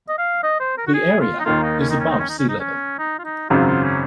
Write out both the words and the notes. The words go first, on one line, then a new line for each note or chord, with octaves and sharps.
The area is above sea-level.
D#5
F5
D#5
C5
A#4
F#4
G#4
F4
D#4
D#2 D#3 A#3 F4
D#4
C#4
D#4
C#4
D#4
C#4
D#4
C#4
D#4
C#4
D#4
F4
D#4
G#1 F#2 C#3 F#3 C4 F4
F4
C#4